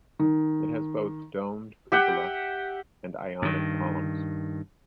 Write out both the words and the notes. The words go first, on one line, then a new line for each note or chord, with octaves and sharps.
It has both domed cupola and Ionic columns.
D#3
G4 E5 F#5 G5
G2 D#3